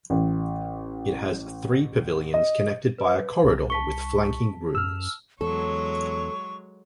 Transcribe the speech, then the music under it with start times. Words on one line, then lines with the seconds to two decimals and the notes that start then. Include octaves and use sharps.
It has three pavilions connected by a corridor with flanking rooms.
0.10 A1
2.34 D#5
2.98 B4
3.44 C2
3.70 A5 C#6 B6 G7
4.75 F#2 E6 F6
5.41 E2 F#3 G#3 A4 C#5 C#6